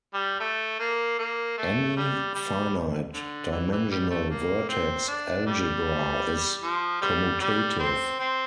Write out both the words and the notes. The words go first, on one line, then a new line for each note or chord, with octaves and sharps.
Any finite-dimensional vertex algebra is commutative.
G3
A3
A#3
A#3
A3
G3
G3
D3
E3
E3
G3
A3
A#3
C4
D4
G3
F3
G3
G3
C4
C4